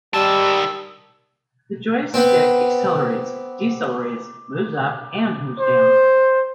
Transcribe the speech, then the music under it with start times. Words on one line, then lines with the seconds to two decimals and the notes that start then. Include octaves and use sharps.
The joystick accelerates, decelerates, moves up, and moves down.
0.14 D#3 G3 A5 E6
2.14 B3 C4
5.59 C5